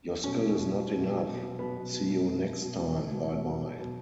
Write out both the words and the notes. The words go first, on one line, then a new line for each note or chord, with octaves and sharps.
Your skill is not enough, see you next time, bye-bye!
B2 C#4
B2
B2
B2
B2
B2
B2
B2
B2 B3
B2
B2
B2
B2
B2
B2
B2
B2
B2
B2
B2
B2
B2